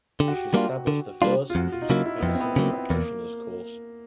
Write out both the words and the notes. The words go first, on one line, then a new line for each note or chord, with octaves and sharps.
She established the first music medicine practitioners course.
D3 G4
F#4
G4
G3 A#3 D4 F4
D3
G3 A#3 D4 F4
F4
F2 F#4
F4
D#4
C#3 F#3 A#3 E4
E4
B3
F2 C4
C4
B3
C#3 F#3 A#3 C4
B3
E2 A#3